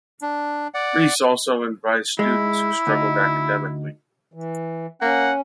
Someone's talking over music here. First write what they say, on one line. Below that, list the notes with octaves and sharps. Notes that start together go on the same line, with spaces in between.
Rhys also advised students who struggled academically.
D4
D5 F#5
G#3 E4
D2 D#4
E3
A#3 C#4 F#5